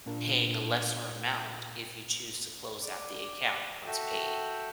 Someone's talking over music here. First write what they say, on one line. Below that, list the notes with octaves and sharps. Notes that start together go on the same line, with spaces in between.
paying a lesser amount if you choose to close out the account once paid.
A#2 D4 F4 A#4
D5 D6
F#4 A4 E5 G5